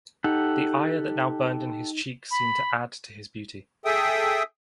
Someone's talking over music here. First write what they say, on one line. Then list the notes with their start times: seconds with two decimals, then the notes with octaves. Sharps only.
The ire that now burned in his cheeks seemed to add to his beauty.
0.24 D#4 G4 A4 F#5
2.31 B5
3.85 G#4 A4 E5 G5 D#6